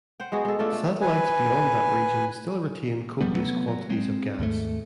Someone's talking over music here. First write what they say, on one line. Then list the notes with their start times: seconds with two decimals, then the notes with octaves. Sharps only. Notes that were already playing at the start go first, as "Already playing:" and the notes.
Satellites beyond that region still retain copious quantities of gas.
0.20 C5 F#5 G5
0.32 G#3 B3 F#4 G#4
0.45 G#3 A4
0.59 A3 D4 F4 A4
0.73 A3
1.01 B4 G#5
3.21 E1 F3 G3 B3
3.35 C3 F#3 A3 B3
3.68 F#3
3.89 G#3 C4
4.39 D#2 G#2 G3 A3